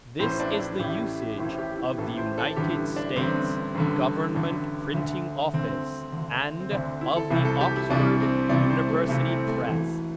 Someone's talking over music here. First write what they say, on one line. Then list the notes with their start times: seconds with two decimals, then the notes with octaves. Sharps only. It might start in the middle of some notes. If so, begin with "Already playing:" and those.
This is the usage of the United States Government Printing Office and of the Oxford University Press.
0.19 A1 A2 E3 C5
0.40 D4
0.54 D4
0.60 E4
0.79 A1 A2 E3 G4
1.38 A1 A2 E3 C5
1.58 G4
1.77 E4
1.98 A1 A2 E3 A4
2.17 C5
2.38 A4
2.56 A1 G2 D3 G4
2.76 E4
2.96 D4
3.16 A1 G2 D3 C4
3.75 A1 G2 D3
4.35 A1 G2 D3
4.93 D2 D3
5.53 D2 D3 C4
6.12 D2 D3
6.60 C4
6.71 D2 D3 D4
7.01 E4
7.16 A4
7.30 C2 C3 E3
7.45 A4
7.61 G4
7.76 E4
7.90 C2 C3 E3 D4
8.20 C4
8.49 C2 C3 E3 D5
8.70 C5
8.89 A3
9.09 C2 C3 E3 A3
9.28 C4
9.48 A3
9.64 E1 E2 E3 A3